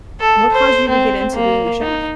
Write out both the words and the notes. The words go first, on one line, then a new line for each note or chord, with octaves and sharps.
what caused you to get into being a chef?
A4
C5
C4
A#3
D#4